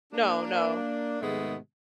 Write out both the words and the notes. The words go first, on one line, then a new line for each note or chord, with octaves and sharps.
No, no.
A#3 D4
G#2 C3 D#3 G#3 A3 B3